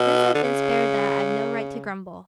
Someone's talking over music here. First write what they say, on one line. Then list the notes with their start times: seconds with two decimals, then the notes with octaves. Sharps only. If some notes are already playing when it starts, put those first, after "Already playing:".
Since I've been spared that, I've no right to grumble.
Already playing: B2
0.34 D3
0.44 C#3